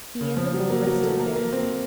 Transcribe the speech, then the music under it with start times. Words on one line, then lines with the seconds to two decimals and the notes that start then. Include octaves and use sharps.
He and the bull rested there.
0.21 C#3
0.37 F3
0.54 F#3
0.70 A#3
0.87 F#3
1.03 A3
1.20 A#3
1.36 A#3
1.53 C4